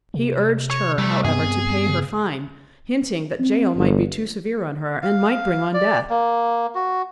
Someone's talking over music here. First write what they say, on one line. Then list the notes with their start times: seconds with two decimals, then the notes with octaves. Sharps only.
He urged her, however, to pay her fine, hinting that jail might be too severe on her and might bring on death.
0.14 C3
0.70 C#5
0.98 E2 G3 A3
1.25 G2 B3 C4 G#4
1.86 C#3
3.40 C4
3.76 G1
5.02 F5
5.74 D5
6.10 A#3
6.75 F#4